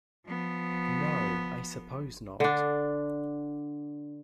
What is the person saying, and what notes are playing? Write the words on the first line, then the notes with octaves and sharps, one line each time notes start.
No, I suppose not.
F3 B3
D3 D4